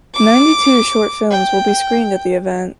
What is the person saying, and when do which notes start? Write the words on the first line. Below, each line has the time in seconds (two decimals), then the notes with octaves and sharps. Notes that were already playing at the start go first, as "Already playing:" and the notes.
Ninety two short films will be screened at the event.
0.14 D6
1.31 G5